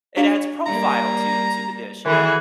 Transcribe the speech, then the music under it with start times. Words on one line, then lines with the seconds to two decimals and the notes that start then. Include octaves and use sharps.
it adds profile to to the dish, you know?
0.17 D4 F#4 C#5 F5
0.66 G3 A#3 A#5
2.06 D#3 E3 F#4 G#4 A4